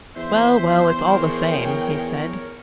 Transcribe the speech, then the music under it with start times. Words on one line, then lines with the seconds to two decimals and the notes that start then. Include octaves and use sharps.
"Well, well, it's all the same," he said.
0.16 E2 C5 E5
1.05 G#4 A#4 C#5 G5